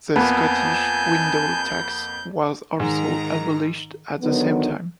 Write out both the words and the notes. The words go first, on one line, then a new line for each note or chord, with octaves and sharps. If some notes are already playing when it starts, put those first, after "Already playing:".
The Scottish window tax was also abolished at the same time.
F2 A#3 B3 G#5 A5 G6
G#2 D#3 A#5
D3 D#3 F#3 B3